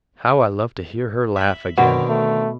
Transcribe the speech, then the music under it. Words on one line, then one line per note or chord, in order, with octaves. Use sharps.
How I loved to hear her laugh again!
E5 B5
B2 D3 D#3 C4 F#5
A3